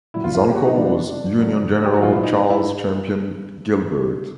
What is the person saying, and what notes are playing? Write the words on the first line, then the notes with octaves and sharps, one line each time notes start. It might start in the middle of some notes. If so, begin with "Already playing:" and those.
His uncle was Union General Charles Champion Gilbert.
A#2 F#3 E4
F4
F4
G#4
G4
F#4
D#4
C3 E3 G3 D4
C#3 F#3
G4
F#4
A#2 F#3 F4
E4
D#4
D4
E4